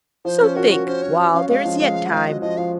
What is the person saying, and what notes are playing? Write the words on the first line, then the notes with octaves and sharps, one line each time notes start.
So think, while there is yet time.'
F3 C5
C#4
F#4 A#4
F#4 A#4
C#4 C5
C#4 C#5
F#4
C#4 F5
G#3 F5
F3
G#3 F5
G#3
F#5
G#3 F5
F#4 D#5
F3 D#5
F3 F5